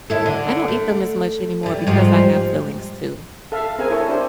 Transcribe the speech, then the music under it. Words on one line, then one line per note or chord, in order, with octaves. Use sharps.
I don't eat them as much anymore because I have fillings too
D#2 E4 A4
D3
A3
E2 G3
G#2 F3 G3
A4 E5 F5
C4 G#4 A#4 G#5
E4 A4 C#5
D4 G4 C5